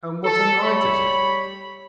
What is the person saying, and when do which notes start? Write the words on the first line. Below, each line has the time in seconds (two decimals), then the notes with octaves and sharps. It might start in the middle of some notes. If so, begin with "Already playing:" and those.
'And what am I to do?'
0.25 A4
0.63 G3 C#5 B5